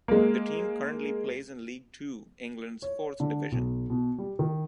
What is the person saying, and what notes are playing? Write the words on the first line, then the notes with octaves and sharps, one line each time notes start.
The team currently plays in League Two, England's fourth division.
G#3 A#3
C#5
D3
B1
B2
G3
D#3